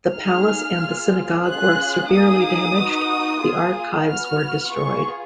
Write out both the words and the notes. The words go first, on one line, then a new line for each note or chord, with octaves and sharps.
The palace and the synagogue were severely damaged, the archives were destroyed.
A#3 D#4 G#4 F6
A#3 F4 G#4
C#4 F4 G#4 F#6
A#3 D#4 G#4 D#6
B3 D#4 F#4
A#3 F4 G#4
B3 F#4 F6
B3 F4 G#4 C#6